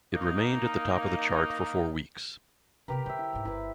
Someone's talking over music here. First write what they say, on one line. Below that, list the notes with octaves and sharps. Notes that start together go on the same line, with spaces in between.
It remained at the top of the chart for four weeks.
A#3 D#4
C3 C4 G4 A#4 B4
D3 F4 C5 E5
E4
D#2 G#2
G1 D#3 E4 B4